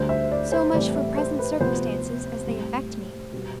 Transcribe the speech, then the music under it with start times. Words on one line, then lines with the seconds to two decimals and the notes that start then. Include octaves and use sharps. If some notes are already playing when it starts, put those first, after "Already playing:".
So much for present circumstances as they affect me.
Already playing: D2 D3 G3 C5
0.09 E5
0.31 D5
0.52 C5
0.74 A2 E3 G3 C4 D5
0.96 E5
1.17 C5
1.39 B4
1.60 D2 C3 F3 B3 C5
2.47 A2 G3 C4
3.33 B2 G3 B3